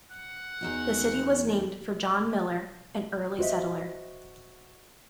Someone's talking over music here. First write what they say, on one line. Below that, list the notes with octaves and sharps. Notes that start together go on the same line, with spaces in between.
The city was named for John Miller, an early settler.
F#5
E2 D#4 F#4
F#4 C5 D#5 E5